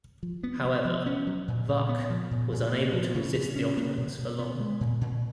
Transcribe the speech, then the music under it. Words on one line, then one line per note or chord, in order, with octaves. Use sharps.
However, Vuk was unable to resist the Ottomans for long.
F3
B3
B3
F3
C#4
F#3
A#2
A#2
B3
F3
A#2
A#2
A#3
F3
C#3
C#3
C#4
A#3
B2
B2
B3
G#3
A#2
A#2